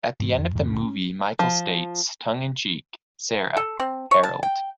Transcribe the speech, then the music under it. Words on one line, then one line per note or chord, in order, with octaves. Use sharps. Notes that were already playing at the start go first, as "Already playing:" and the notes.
At the end of the movie, Michael states, tongue in cheek, Sarah, Harold.
G#2 E3
F2
F2 G#2 D#3
G1 D2 A#2 C#4
C#4
F3
A4
C4
C#5
A5
G5